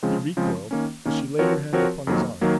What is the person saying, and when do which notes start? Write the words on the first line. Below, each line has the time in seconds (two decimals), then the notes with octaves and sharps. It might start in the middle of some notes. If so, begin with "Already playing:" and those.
He recoiled, but she laid her hand upon his arm.
0.03 C#3 F3 G#3 C4
0.37 C#3 F3 G#3 C4
0.71 D#3 A#3 C#4
1.05 D#3 A#3 C#4
1.39 F3 C4 F#4 A#4 C#5
1.73 F3 C4 F#4 A#4 C#5
2.07 F2 D#3 F#3 A#3
2.41 D#3 F#3 A#3